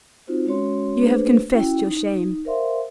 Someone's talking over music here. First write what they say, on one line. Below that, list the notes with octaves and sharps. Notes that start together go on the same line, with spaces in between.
You have confessed your shame.
C4 D#4 F4 F#4 C5
G#3 C#4 F#4 C#5 C6
A3 A#3 D4 G#4 B4 C5
C#4 E4 F#4 G5
D#4
A#4 C5 D5 E5 F5 C6